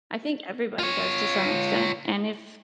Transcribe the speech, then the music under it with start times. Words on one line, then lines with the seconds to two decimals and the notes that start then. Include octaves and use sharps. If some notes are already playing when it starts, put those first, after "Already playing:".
I think everybody does to some extent, and if
0.79 F4 C#5